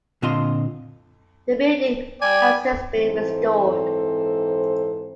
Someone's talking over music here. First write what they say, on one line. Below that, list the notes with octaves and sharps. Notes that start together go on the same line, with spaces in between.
The building has since been restored.
A#2 D3 C4 F4 D#5 C6
D5 G5 G#5
G#2 E3 C4 A4 C5